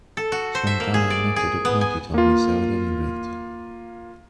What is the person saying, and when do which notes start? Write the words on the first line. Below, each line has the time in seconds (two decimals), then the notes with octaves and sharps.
Some guy I met at a party told me so at any rate.
0.17 A4
0.32 F#4
0.55 C5
0.67 E5
0.80 A#3
0.94 G#4
1.10 D5
1.36 G#4
1.65 B3
1.81 G#5
2.14 A#3 F4